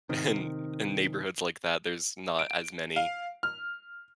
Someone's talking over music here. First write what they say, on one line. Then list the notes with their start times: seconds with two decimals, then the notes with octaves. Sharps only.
in in neighborhoods like that, there's not as many,
0.09 C3 D#3
2.39 D7
2.96 F5
3.43 F6